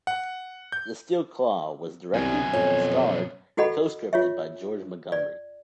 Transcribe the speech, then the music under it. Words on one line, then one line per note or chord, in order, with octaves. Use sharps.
"The Steel Claw" was directed, starred and co-scripted by George Montgomery.
F#5
G6
C2 F#2 B2 G#5
F2 C#5
E4 F#4 A4 D#5 F#5 B5
F4 C#5 E5
D5